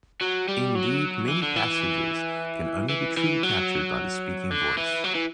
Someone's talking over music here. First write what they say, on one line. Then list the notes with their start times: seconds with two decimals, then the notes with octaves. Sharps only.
Indeed, many passages can only be truly captured by the speaking voice.
0.21 F#3
0.48 G3
0.75 F#3
1.28 E3
1.42 D3
1.56 E3
2.89 E3
3.17 E3
3.43 F#3
4.51 D3
4.78 E3
5.04 F#3
5.15 E3